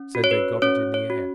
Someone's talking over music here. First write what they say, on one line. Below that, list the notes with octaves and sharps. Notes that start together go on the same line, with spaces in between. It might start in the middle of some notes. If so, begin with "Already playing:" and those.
Said they got it in the air.
Already playing: C#4
F#4
C#5
B4
C#4 C#5
C#5
F#4